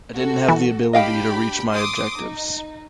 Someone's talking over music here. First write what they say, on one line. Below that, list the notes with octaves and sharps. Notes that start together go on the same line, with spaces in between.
I didn't have the ability to reach my objectives.
F#4 A4
E3
D4 G4 D#5 F5 G5 B5
C6 D6 D#6
D#4